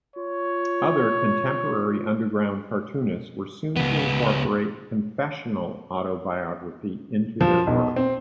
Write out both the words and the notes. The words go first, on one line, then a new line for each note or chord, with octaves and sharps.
Other contemporary underground cartoonists were soon to incorporate confessional autobiography into their work.
F4 C#5
C#2 B3
F3
B1
C4